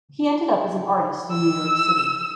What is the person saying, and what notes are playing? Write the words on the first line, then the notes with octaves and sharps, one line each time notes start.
He ended up as an artist in New York City.
E6